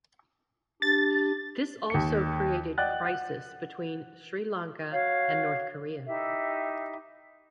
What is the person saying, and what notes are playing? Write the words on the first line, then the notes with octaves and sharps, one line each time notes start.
This also created crisis between Sri Lanka and North Korea.
D4 G4 A6
D#2 C#7
D5 D#5 F#5 G5 F#6 A6
F#5
F#4 C#5 F5
D#4 E4 G4 E5